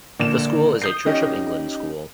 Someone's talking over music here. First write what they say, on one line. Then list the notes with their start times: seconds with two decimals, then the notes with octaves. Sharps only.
The school is a Church of England school.
0.20 A#1 D3 A#3 E7
0.82 D#6 G6 C7
1.06 C#4 D#4 G4 D#5